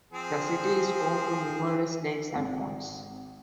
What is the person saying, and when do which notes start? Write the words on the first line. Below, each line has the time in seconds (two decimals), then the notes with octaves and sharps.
The city is home to numerous lakes and ponds.
0.12 F3 C4 G#4
2.36 G#1